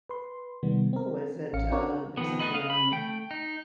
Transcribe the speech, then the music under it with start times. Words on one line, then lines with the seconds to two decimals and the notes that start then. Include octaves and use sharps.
what was it, uh, there's something on
0.09 B4 C6
0.63 C3 D#3 G3 B3
0.93 C4 A#4
1.53 A1 C#4 F5 C#7
1.71 C4 D4 F#4 A#4 C#5 D5
2.17 D#3 F3 B3
2.39 A3 B3 D#4 D#5 B5
2.53 D#5 F5
2.70 B5
2.92 A3 G5
3.31 D#4